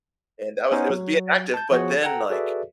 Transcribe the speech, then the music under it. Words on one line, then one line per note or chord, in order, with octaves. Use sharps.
and I was it was being active, but then, like,
B3 C#4 D#4 C5 C#5 F#5
F#3
A5 G6
F3 B3 F#4 G#4 C#5
A4 F#5 G5 A#5
F#4 G#4 A4 B4 D5 E5